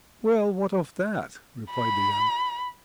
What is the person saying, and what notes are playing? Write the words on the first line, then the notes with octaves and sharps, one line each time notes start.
"Well, what of that?" replied the younger.
B5